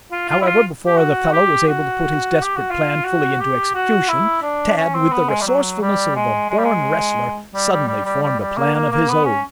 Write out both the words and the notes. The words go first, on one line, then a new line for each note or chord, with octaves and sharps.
However, before the fellow was able to put his desperate plan fully into execution, Tad, with the resourcefulness of a born wrestler, suddenly formed a plan of his own.
F4
F4
E4
F4
G4
F#4
G4
F#4
G4
F#4
F4
F#4
G4
F#4
E4
D4
C#4
C4
B3
G#3
G3
F#3
G3
G#3
G#3
G3
G#3
G3
G3
G3
G3
G3
G3
A#3
A#3
A#3
B3
C#4